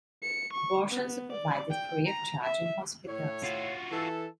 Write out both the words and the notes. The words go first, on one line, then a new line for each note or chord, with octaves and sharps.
Abortions are provided free-of-charge in hospitals.
C#7
C#6
B3
D5
G5
A#5
E5
A2 C#5
F4 F#4
E3 A4